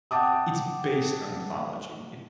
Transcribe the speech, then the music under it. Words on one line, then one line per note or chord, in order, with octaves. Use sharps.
It's based on mythology, it's
F#5 G5 A5 D6 D#6